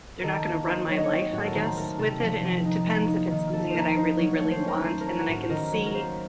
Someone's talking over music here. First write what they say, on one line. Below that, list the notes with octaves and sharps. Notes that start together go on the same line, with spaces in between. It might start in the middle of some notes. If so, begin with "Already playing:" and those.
they're not gonna run my life, I guess, with it, and it depends if it's something that I really, really want, and then I can see
D#3 A4 A#4
A#3 A#4
D#4 C5
F#3 C#5
D#5
C#5
C4
C#5
A2 F#4
A4
A#4
D#3 C5
A3 A#4
C3 A4
F3
C4
D#4
A#3
D#4
D#3
F3 A4
A#3 A#4 C5
D#4 C5
F#3 C#5
C#5
A3
C5
C#4
A#4
A3 C5
A#4
C#4
F#4
A2
C5
D#3 A#4
F#3 C#5
A#4
A#3 C5